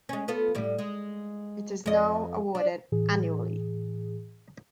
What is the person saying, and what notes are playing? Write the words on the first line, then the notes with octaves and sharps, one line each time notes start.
It is now awarded annually.
G#3 C#4
B3 F4 A4
A2 G3
G#3
F2 D#5
D4
A2 E3 G#4